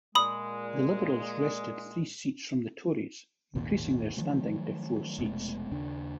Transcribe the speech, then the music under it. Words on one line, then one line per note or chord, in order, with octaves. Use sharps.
The Liberals wrested three seats from the Tories, increasing their standing to four seats.
A#2 G#3 B5 D#6
G#1 D#2 A#2
D#3 F3 F#3 A3
F1 B2 G#3 A3
D#2 C#3 D4